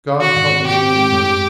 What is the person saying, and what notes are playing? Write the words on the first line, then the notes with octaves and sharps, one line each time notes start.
"God help me!" he murmured.
D#3 F#4
G#2
C4
G#2 G4
C4
G#3
F#2